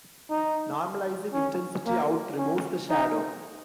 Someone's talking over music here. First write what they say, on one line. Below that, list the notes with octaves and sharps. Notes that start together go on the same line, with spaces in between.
Normalizing intensity out removes the shadow.
D#4
C#4
A#3
C#4
D#4